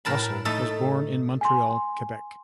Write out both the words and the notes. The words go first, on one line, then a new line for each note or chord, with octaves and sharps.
Russel was born in Montreal, Quebec.
A2 A#4 A5 B5
A3 D#4 A4
G#5 C6